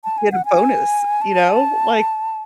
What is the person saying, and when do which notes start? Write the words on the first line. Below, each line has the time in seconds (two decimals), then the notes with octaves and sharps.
get a bonus, you know, like
0.04 A5
0.18 G#5
0.32 F#5
0.45 G#5
1.21 A5